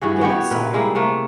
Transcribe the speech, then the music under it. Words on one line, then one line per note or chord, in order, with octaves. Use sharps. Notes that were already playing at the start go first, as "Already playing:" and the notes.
get outside and,
G2 E3 F#4 G#4
B3 F#4 G4 C#5
A#2 B4
G3 G#3 A#3 E4
C3 A3 A#3